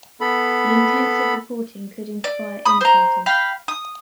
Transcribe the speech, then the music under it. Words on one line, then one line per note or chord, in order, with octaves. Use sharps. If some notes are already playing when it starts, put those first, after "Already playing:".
The intensive reporting could inspire imitators.
B3 A4 B5
D5
B5 D#6
C5 A#5
F5 G5 B5
D#6